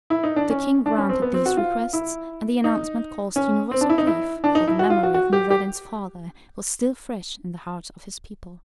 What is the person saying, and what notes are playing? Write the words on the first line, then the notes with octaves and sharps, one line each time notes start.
The king granted these requests, and the announcement caused universal grief, for the memory of Noureddin's father was still fresh in the hearts of his people.
E4
D#4
D4
C#4
D4
C#4
C4
B3
C4
F#4
F4
E4
D#4
C#4
C4
D4
E4
D#4
E4
D4
D#4
E4
F#4
F4
F#4
F#4
G4
G4